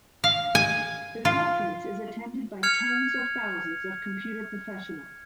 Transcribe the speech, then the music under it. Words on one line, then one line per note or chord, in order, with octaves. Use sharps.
The conference is attended by tens of thousands of computer professionals.
F5
G#5
F4
F6 G#6 C#7 F7